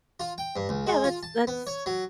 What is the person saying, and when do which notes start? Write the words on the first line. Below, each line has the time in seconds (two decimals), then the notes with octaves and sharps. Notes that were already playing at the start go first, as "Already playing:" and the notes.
yeah, that's that's
0.20 F4
0.38 G5
0.56 G2
0.69 C#2
0.87 G#3
1.04 F4
1.23 A5
1.47 B3
1.67 C#5
1.86 F#3